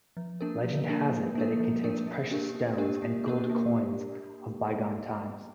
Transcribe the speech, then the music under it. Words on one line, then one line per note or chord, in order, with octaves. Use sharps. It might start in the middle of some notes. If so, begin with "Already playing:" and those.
Legend has it that it contains precious stones and gold coins of bygone times.
F3
A#3 D4 A#4
F3
A#3 D4 A#4
F3
A#3 D4 A#4
F3
A#3 D4 A#4
A#3
D4 G4 A#4
A#3
D4 G4 A#4
A#3
D4 G4 A#4
A#3